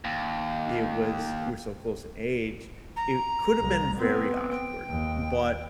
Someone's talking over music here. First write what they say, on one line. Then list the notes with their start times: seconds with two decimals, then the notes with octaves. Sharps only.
it was we're so close in age, it could have been very awkward, but
0.05 D#2
2.96 A#5
3.60 C2
3.97 B3 C4
4.51 G5
4.89 D#2